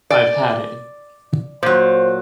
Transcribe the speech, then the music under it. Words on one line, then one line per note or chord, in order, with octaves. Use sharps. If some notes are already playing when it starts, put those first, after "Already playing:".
I've had it.
D5
A#2 F#3 C5